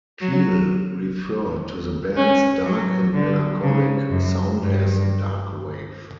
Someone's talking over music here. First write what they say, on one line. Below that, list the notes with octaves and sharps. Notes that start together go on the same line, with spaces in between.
Peel referred to the band's dark and melancholic sound as "darkwave".
F#3
C#4
F#3
D3
C#3
F#2
G2